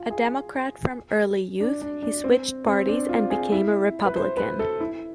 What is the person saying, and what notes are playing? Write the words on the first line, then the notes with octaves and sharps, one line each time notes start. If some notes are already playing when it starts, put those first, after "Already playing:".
A Democrat from early youth, he switched parties and became a Republican.
Already playing: F4
G#4
D4
D4
D4
C4
C4
D4
F4
G#4
E4
B4
C5
B4
A4
E4